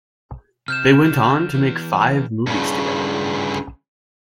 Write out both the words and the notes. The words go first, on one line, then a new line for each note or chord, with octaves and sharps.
They went on to make five movies together.
C3 F6 G6 E7
D3
E3 B3
G2 C#3